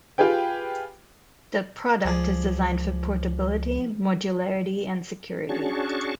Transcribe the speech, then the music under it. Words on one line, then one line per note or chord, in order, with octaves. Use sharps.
The product is designed for portability, modularity, and security.
F4 G4 G#4 B4 G5
C#2 F3 G#4 D5
C#4 D4 F#4 G#4 A5 C#6